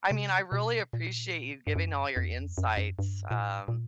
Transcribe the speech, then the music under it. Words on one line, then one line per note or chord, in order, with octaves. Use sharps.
I mean I really appreciate you giving all your insights, um,
C3
B2
A#2
G2
F#2
F2
E2
F2
F#2
F2
F#2
G2
A#2
A2
A#2